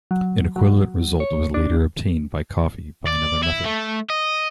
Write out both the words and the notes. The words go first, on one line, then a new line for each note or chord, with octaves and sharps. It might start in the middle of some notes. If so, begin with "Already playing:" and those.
An equivalent result was later obtained by Coffey by another method.
F#3
F#3
C#5
D4
D5
E4
A3
D#5